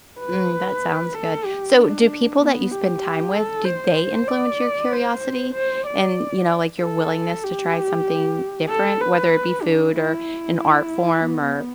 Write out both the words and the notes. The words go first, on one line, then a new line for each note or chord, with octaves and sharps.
Mm, that sounds good. So, do people that you spend time with do they influence your curiosity and, you know, like, your willingness to try something different, whether it be food or an art form or,
B4
A4
G4
D4
B3
G4
A4
C5
D5
C5
C5
D5
A4
G4
A4
B4
D4
E4
E4
B3